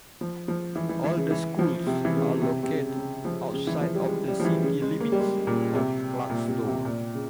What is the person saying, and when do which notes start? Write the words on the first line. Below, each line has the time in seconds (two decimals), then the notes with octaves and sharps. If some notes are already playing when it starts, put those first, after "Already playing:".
All the schools are located outside of the city limits of Clarkston.
0.21 F3
0.48 F3
0.75 E3
0.89 E3
1.04 E3
1.17 C#3
1.31 E3
1.59 F3
1.87 C3
2.05 E3
2.17 C#3
2.23 C3
2.42 C3
2.63 C3
2.69 C#3
2.97 C#3
3.25 F3
3.53 C#3
3.67 E3
3.81 F3
3.95 G3
4.08 G#3
4.27 G3
4.40 F3
4.45 E3
4.63 C#3
4.82 G#3
5.00 A#3
5.12 G3
5.20 G#3
5.47 A#2
5.75 C3
6.29 A#2
6.48 C3
6.67 C3
6.85 A#2
7.15 C#3